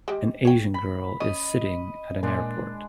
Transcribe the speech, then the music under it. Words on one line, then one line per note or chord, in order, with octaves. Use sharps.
An Asian girl is sitting at an airport.
G#3 G4
C#5 G5
B5
C#4 D#5
A#2 G#3 D4